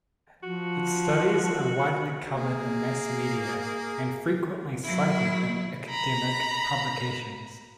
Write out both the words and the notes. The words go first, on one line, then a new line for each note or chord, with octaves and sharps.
Its studies are widely covered in mass media and frequently cited in academic publications.
F3 F#4
A#3 G#4
F#3 E4
A#5 B5